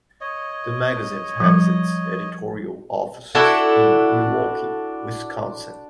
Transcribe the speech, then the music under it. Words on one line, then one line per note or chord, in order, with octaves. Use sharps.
The magazine has its editorial offices in Milwaukee, Wisconsin.
C#5 D#5
F3 G3
D4 E4 F#4 A4